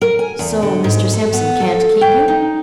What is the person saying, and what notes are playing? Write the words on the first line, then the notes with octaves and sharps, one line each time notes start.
"So Mr. Sampson can't keep you?"
A#4
G#5
E2
D3
G#2
A4
B3
A4
G5
D#4